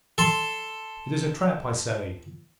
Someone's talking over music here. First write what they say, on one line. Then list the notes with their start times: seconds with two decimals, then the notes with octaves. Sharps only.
It is a trap, I say.
0.18 A4 C6